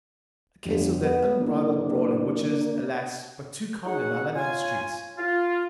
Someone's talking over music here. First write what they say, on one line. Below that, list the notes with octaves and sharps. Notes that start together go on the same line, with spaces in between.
'A case of that unbridled brawling which is, alas, but too common in our London streets.
G1 F2 G3
B3
F#1 A#3 D4
C#4 D#4 F#4 G#4 F#5
F4 C#5 G#5
F4